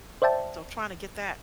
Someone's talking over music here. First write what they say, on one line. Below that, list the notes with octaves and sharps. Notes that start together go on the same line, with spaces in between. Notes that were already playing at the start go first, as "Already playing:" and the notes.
So, trying to get that
C5 D5 E5 G5 A5